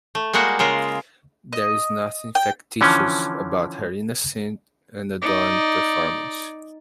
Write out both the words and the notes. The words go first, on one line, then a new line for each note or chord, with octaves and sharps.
There is nothing factitious about her innocent, unadorned performance.
A3
G3 G#3 A#3 F#4 F#5
C#3 G#3 F4 A#4
D#5
G5
D3 E3 F3 C#4
D#4 D5